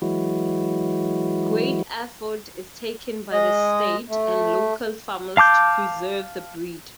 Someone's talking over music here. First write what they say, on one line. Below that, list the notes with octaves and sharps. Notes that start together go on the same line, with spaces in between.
Great effort is taken by the state and local farmers to preserve the breed.
E3 F#3 G#3 E4 F#4
G#3 D#5
A3
F5 A5 D6 G6